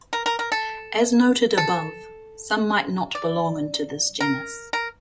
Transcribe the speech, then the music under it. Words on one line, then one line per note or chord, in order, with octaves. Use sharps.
As noted above, some might not belong into this genus.
A#4
A#4
A#4
A4
A4
D5
A#4
A#4